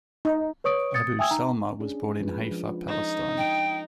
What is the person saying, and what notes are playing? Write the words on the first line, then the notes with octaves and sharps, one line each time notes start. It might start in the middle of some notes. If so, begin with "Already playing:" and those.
Abu Salma was born in Haifa, Palestine.
D#4
B4 C#5 C#6 D#6 D7
D#6 G#6 A6 C#7
E5 G5 G#5 D#6 E6 G#6
D#4 A#5
C#4 D4 G#4
F3 G#3 B4
F3 D4
D#4
G5